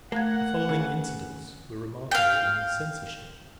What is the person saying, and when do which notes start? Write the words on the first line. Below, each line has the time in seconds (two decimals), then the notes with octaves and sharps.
The following incidents were remarkable in his censorship.
0.12 A3 A#3 F#5 G#6
0.69 C#3
2.11 F5 G5